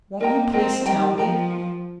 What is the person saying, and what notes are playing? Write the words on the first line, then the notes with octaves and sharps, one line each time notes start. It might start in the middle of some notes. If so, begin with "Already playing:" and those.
"Won't you please tell me?"
A#3 A#4 D#5 G5 A#5
C4 A#4 D#5 G5 A#5
G3 A#4 D#5 G5 A#5
F3 A#4 D#5 G5 A#5
F4